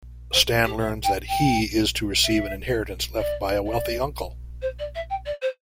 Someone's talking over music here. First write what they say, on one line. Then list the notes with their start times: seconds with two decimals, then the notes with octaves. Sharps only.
Stan learns that he is to receive an inheritance left by a wealthy uncle.
0.33 C5
0.64 G4
0.80 E5
1.04 G5
1.28 G5
2.23 E5
3.19 D5
3.66 D5
4.62 C5
4.79 D5
4.94 E5
5.10 G5
5.25 D5
5.41 C5